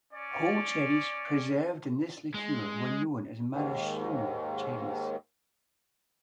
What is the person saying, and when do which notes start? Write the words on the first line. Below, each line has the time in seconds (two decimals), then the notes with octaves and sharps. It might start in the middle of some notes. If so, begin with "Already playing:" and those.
Whole cherries preserved in this liqueur were known as maraschino cherries.
0.13 C#4 D5
2.34 G#3
3.53 D#2 G#2 D#3